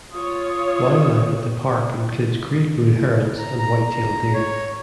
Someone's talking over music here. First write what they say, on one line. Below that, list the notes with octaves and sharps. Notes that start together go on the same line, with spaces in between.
Wildlife at the park includes great blue herons and white-tailed deer.
F4 C#5 D#6
A#5
A#5
A#5
C#5